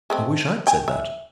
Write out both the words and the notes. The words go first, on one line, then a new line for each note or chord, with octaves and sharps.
"I wish I'd said that."
G#3 A3 C4
G5 G#5
E5